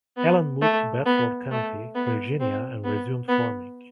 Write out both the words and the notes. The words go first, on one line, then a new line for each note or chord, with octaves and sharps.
Allen moved to Bedford County, Virginia and resumed farming.
B3
A3
B3
A3
B3
C4
B3
B3